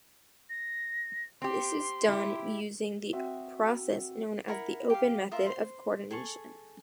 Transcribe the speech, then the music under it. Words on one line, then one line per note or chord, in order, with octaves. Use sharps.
This is done using the process known as the Open Method of Coordination.
A#6
C4 G4 C6
E4 G4
C4 F#4 E5 D#6
E4 A#4 F#5 B5
G4 F5
F4 A#4 E5 D#6
C5 C6
G#4 A4 C#6